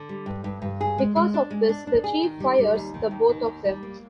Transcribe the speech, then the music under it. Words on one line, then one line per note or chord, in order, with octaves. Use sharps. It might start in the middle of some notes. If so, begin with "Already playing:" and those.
Because of this, the chief fires the both of them.
Already playing: D3
G3
G2
G2
G2
G#4
G#3
G#3
D4
G#3
D4
D4
G#4
D#3
G3
G3
D#2
D#3
D#2
D#3
D#2
G3
A#3